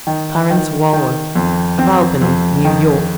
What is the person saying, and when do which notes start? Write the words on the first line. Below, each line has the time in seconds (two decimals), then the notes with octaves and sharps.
Clarence Walworth, of Albany, N.Y.
0.07 D#3
0.50 D#3
0.93 D#3
1.36 F2
1.79 C4
2.22 F2
2.65 D#3